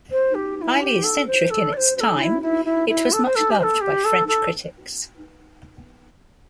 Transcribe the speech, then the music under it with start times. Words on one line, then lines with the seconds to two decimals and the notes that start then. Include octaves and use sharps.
Highly eccentric in its time, it was much loved by French critics.
0.11 C5
0.34 G4
0.57 G4
0.61 E4
0.80 G4
1.03 A4
1.27 C5
1.50 A4
1.73 D5
1.77 C5
1.96 C5
2.00 A4
2.19 E4
2.42 E4
2.65 E4
2.89 E4
3.12 A4
3.25 C5
3.35 A4
3.50 G4
3.58 C5
3.63 A4
3.81 G4
4.05 A4
4.27 A4